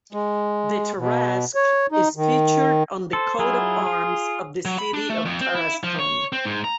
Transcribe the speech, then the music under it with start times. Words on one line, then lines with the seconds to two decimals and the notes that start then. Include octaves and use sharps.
The Tarasque is featured on the coat of arms of the city of Tarascon.
0.13 G#3
0.98 B2
1.55 C#5
1.92 D#4
2.16 D#3
3.13 A4 C5
3.39 F#3 E4 F4 G#4
3.86 F4
4.65 F#3
4.78 B5
4.94 D4
5.09 A3
5.25 F2
5.41 C4
5.55 E4
5.84 F3
5.99 C#5
6.33 C4
6.46 G#2
6.64 A#5